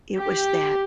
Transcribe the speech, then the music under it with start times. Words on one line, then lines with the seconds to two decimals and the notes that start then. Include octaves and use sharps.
it was that
0.17 G4